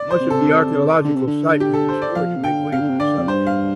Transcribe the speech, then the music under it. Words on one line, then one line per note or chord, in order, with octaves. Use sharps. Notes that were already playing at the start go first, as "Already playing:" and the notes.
Much of the archaeological site was destroyed to make way for the subdivision.
Already playing: D5
C5
C3
A4
D3
C3
D3
G4
A4
C5
D5
F3 F5
C3
D3 G5
C3 F5
D3
C3
D3 D5
F2
G2 C5
F5